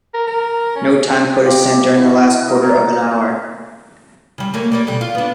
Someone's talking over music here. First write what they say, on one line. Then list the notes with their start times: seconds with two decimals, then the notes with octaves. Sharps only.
No time code is sent during the last quarter of an hour.
0.14 A#4
0.27 A#4
0.76 C#4
1.44 F4 G4 D#5
1.95 E4 D#5 E5 F#5
2.48 A#4 D#5
4.38 C#3 G3
4.54 A3 A#3 C#4
4.72 G3 A#3 D5
4.87 B2 D3 G3
5.01 F4
5.15 B3 D4